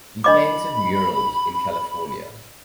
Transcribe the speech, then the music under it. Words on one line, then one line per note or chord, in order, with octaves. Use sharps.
He painted murals in California.
D4 D#5 B5 D6